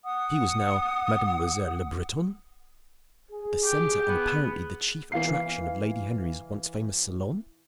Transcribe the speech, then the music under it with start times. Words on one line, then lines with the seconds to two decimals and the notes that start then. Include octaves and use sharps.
She was now "Mademoiselle Le Breton "?--the centre and apparently the chief attraction of Lady Henry's once famous salon?
0.05 F#5 D#6
3.31 G#4
3.64 G4
4.08 B3
5.12 E3 F5 C7